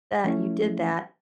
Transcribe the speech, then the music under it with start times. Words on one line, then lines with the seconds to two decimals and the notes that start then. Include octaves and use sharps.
that you did that,
0.24 F3 A3 C#4 E4